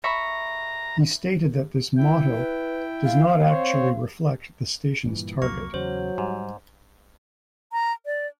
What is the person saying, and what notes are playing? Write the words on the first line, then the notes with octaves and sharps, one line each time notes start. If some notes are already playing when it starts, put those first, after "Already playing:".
He stated that this motto does not actually reflect the station's target.
E5 A#5 B5 C#6
E4 G5
B4
F5
C4 C5 C#5
G2 A#2 E3
C2 F2 F#3 A#3 C#6
E2 C#3 F#3 C5
G#2 G3
A#5
D5